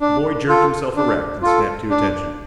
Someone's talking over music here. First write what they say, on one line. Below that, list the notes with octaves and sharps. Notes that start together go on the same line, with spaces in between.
The boy jerked himself erect and snapped to attention.
D4
F4 A4
D4
F4 A4
D4